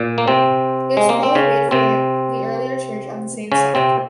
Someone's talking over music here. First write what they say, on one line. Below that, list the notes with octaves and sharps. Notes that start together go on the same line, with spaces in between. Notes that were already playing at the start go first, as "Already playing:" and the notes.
It was probably made for the earlier church on the same site.
Already playing: A#2
A#3
C3 C4
G#3
A#3
C4
C#3 C#4
C3 C4
C#3 C#4
C3 C4